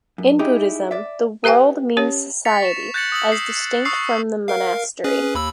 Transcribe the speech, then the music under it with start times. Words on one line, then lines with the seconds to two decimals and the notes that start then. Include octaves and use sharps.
In Buddhism, the world means society, as distinct from the monastery.
0.18 F#2
0.39 D#4 E4 G4 G#4
0.91 D5 E5
1.44 G4 B4 E5 G5 G#5
1.97 C#4 G4 C#5
2.45 A6 B6 C#7 F7
2.62 C#6 E7
2.94 F#6 G6 A6 A#6 C#7 F#7
3.12 D#6 E6 F#7
3.32 C7
3.85 C#6 D#6 E6 F#6 C7 F7
4.48 A#4 F5
5.04 C#4 G#4 B4
5.35 D#2 B5 E6